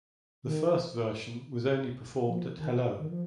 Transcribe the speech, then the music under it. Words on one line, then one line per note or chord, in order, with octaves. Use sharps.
The first version was only performed at Hello!
D#3
F3
D#3
D#3
F3